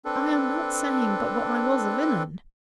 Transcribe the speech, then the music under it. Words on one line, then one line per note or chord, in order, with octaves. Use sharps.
I am not saying but what I was a villain.
C4 D4 A4 B4